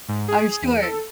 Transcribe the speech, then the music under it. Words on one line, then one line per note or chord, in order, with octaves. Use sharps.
I'm sure.
G#2
G#4
E2
A4